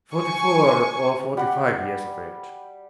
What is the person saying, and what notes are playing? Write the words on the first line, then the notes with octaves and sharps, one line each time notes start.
"Forty-four or forty-five years of age."
G#5 C#6
G3 G4 F#5